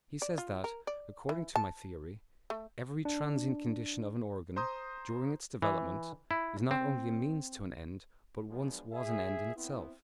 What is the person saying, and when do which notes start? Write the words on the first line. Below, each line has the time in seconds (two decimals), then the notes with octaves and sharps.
He says that, according to my theory, "every transient condition of an organ, during its development, is not only a means to an end, but once was an end in itself."
0.22 D5
0.38 F4
0.64 A#4
0.87 D5
1.29 E3
1.56 A5
2.50 A3
3.05 D4
4.56 C5 A#5 C6 D#6 G6
5.62 E3
6.31 E4
6.71 C4
8.48 F3 F#3 G#3 B3 D4
8.92 G#4 E5
9.55 B3 C4 E4